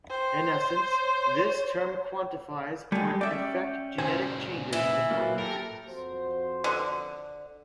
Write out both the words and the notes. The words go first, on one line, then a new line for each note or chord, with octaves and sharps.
In essence, this term quantifies what effect genetic changes will have on fitness.
C5 G5
C#5
G3 G#3 G4 A4 G#5
C#4 D5 E5 G5
A#2 C#3 C5 G#5
E3 E4
F#3 A#3 F4
G4 A4 A#4
F2 F#4 C5
D3